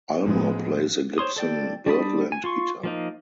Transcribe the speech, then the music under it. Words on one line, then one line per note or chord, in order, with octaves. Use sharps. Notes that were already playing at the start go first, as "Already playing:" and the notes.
Ulmer plays a Gibson Byrdland guitar.
A1 F3 G#3 B3
C5 C#5 C6 D#6
A4 D5 G5
G3 D4 B5 D#6
G#5
F4 C6 C#6
F3 A#3 D#4